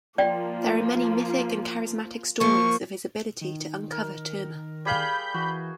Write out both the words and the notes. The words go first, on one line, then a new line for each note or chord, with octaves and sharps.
There are many mythic and charismatic stories of his ability to uncover Terma.
F3 A#3 F4 D5 G5
F3 A#3 C#6
D#3
A#4
G3 G#4 F5 B5 G6
E3 F#4